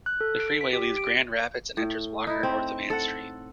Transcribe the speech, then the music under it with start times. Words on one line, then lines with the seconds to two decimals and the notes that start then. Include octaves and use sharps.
The freeway leaves Grand Rapids and enters Walker north of Ann Street.
0.06 F#6
0.21 A4
0.40 D7
0.61 B6
0.73 G4
0.97 D7
1.77 A2
2.27 D#4 E4
2.43 C4
2.90 A4 F#5